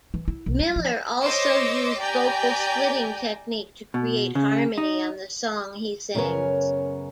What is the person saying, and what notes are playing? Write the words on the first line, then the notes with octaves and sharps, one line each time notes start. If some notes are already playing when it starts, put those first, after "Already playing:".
Miller also used vocal splitting technique to create harmony on the song he sings.
E3
E4
B1
G3
F3
C5 C#5 D#5 C6 D6 E6
G4 D5 G5 G#5 A#5 G6
B2
C#3
D#4
F#2 C#3 B3 A#4 C#5